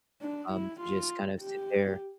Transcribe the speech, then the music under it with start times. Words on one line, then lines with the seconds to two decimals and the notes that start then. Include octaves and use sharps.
um, to just kind of sit there,
0.22 D4
0.52 E4
0.81 F4
1.41 G4